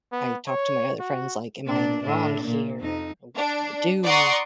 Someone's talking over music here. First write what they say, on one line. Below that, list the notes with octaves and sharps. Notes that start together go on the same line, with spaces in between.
I talked to my other friends like, "Am I in the wrong here? What can I do?"
B3
C#5
F#4
A#2 D4 D5
A2 D4
A#2 A#3
F2 D#4
D4
D5 F#5 A#5 C6 C#6 D#6